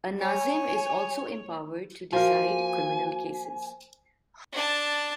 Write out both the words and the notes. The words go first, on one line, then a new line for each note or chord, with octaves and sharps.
A "Nazim" is also empowered to decide criminal cases.
C#5 G#5
F3 A#3 F#4 A#4 G#5
D4 A5